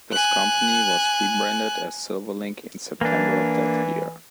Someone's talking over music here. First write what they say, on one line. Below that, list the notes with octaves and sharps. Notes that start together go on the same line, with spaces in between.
This company was re-branded as Silverlink in September of that year.
G#5 F#6
E3 A#3 D4